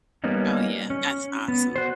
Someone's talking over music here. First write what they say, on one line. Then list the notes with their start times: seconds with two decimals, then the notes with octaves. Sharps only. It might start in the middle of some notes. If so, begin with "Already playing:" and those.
Oh, yeah, that's awesome.
0.24 G3 A#3 B3 C#4 D#4
0.90 C#4
1.48 B3
1.76 F#4 C5